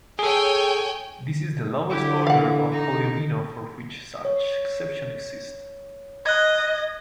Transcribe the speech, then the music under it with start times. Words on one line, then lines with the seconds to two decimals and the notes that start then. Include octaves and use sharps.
This is the lowest order of polyomino for which such exceptions exist.
0.19 G#4 A4 C#5 G5 G#5
1.89 D3 E4 G4
2.27 E3 F5 F#5
2.72 D#4
4.25 C#5
6.26 D#5 F#6 G#6